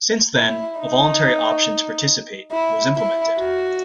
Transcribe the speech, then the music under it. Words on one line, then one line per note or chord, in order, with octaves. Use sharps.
Since then, a voluntary option to participate was implemented.
E4
D#4
E4
E4
F#4